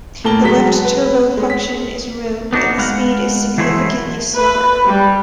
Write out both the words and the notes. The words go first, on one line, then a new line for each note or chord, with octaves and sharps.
The left-turbo function is removed, and the speed is significantly slower.
A2 A#3 A5 G7
F#3 G#3 B6
B4
G#3 C#4
B6
B3 D4 D#4 F#4
G#3 B3 F5 F#5
E3 F#3 G#3 A3 E4 C5
B4
G3